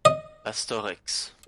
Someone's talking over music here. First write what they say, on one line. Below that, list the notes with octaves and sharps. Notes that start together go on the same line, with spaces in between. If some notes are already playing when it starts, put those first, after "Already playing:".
Pastor Ex.
D#5